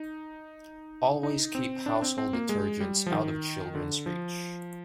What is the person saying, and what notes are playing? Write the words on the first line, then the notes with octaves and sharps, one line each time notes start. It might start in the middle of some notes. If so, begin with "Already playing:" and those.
Always keep household detergents out of children's reach.
Already playing: D#4
D#4
C4
D4
C4
C4
A#3
G#3
G3
F3
D#3
D3
F3